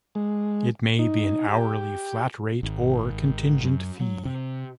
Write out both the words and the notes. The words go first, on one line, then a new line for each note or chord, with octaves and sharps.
It may be an hourly, flat-rate or contingent fee.
G#3
D#4
G4
G#1
F#2
F#3
C3